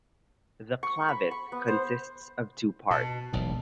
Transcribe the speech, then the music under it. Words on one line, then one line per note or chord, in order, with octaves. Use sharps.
The Clavis consists of two parts.
C#6
B5
C#6
B3
C5
B2 A5
E1 B1 B2